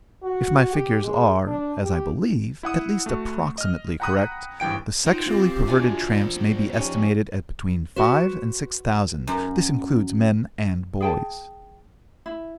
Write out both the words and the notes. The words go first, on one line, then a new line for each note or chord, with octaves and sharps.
If my figures are, as I believe, at least approximately correct, the sexually perverted tramps may be estimated at between five and six thousand; this includes men and boys.
F#4
G4
G#3
D4
G4
E4 F#5 D#6
A3 F#4
D#5 F6
F#5 G5 A#5 B5 D#6 F#6
G#1 G2 E3 G5 D7
D#4 F4 C5 F#5 G5
F3 C4 G4
D4 E4 F#4 G#5 D6
F3 C5 D5
C#4 D#4 G4
F#4 B4 C5
F#2
G#4 G5 A5
E4